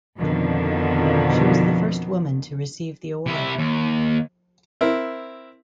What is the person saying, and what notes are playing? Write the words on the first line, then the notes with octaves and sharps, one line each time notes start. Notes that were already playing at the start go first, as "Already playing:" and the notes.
She was the first woman to receive the award.
F2 B2 D3 D#3 F3
C3 E4
D#2
C4 E4 A#4